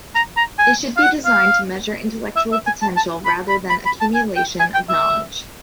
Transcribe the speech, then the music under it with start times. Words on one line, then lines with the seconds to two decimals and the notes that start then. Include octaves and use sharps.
They should be designed to measure intellectual potential rather than accumulation of knowledge.
0.15 A#5
0.37 A#5
0.59 G#5
0.97 F5
1.03 F#5
1.25 F5
2.37 E5
2.52 E5
2.66 G#5
2.82 A5
2.96 A5
3.25 B5
3.49 B5
3.70 B5
3.86 B5
4.01 A5
4.15 G#5
4.37 G5
4.60 G#5
4.74 G5
4.89 E5